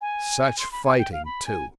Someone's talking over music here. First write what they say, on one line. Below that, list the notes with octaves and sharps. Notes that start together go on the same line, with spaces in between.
Such fighting, too!...
G#5
C6
B5
G#5
G5
F5
B5
G#5